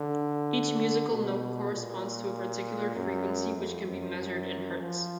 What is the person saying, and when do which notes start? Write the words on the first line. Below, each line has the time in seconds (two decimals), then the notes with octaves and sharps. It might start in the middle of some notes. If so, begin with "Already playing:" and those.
Each musical note corresponds to a particular frequency which can be measured in hertz.
Already playing: D3
1.10 B2
1.72 A#2
2.95 F#2
3.57 F2
3.88 F#2
4.19 F#2
4.81 F3